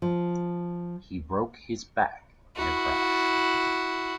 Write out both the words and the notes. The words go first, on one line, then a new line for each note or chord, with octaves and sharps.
He broke his back in a crash.
F3
E4 F#4